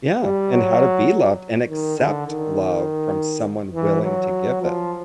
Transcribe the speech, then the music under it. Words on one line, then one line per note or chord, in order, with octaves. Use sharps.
Yeah, and how to be loved and accept love from someone willing to give it,
G3
F#3
D#3
D3
D#3
E3
F#3
F3